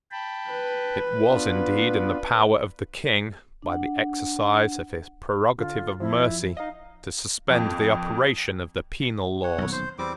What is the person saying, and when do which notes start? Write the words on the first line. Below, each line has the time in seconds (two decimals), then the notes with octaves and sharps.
It was indeed in the power of the King, by the exercise of his prerogative of mercy, to suspend the operation of the penal laws.
0.11 G5 A5 B5
0.49 B4
1.27 B3 D4 F4
3.62 D4 F#5
5.58 D3 F4
6.00 F2 F3 E4
6.57 D#4 D#5 F5
7.49 F2 A#2 G5
9.44 C#5 F#5
9.58 D#1 B1
9.72 C5
9.99 E2 G3 C4 D6